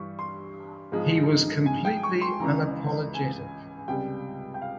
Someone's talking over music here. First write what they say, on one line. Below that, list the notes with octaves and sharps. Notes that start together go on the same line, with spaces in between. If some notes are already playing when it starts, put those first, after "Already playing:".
He was completely unapologetic.
Already playing: G2 E3 G3 C#6
C6
G#2 F3 G#3
G#5
G5
C#6
C6
C#2 C#3 E3 A#5
G#5
C#2 C3 G3 G5
G5
F5